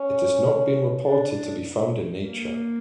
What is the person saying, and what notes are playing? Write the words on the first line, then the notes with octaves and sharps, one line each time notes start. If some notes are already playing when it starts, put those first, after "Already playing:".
It has not been reported to be found in nature.
Already playing: C#4
D4
A#3